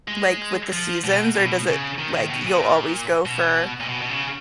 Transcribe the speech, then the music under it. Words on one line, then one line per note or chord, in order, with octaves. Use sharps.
like with the seasons, or does it like you'll always go for
G#3
F3
B2
B2
C#3
D#3
D#3
B2
A#2
B2
A#2
B2
B2
C#3